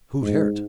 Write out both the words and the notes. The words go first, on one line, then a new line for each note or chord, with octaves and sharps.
"Who's hurt?"
G#2